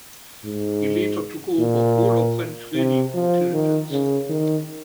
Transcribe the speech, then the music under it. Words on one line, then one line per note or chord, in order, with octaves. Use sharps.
He later took over all of French radio intelligence.
G#2
A#2
C3
F3
D#3
C#3
D#3